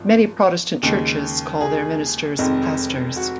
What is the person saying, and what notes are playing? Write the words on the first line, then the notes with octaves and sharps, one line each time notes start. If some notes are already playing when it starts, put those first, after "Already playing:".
Many Protestant churches call their ministers "pastors".
Already playing: G#1 F3
D#2 C#3 G#3
G#4
F1 F2 D#3 G#3
F#4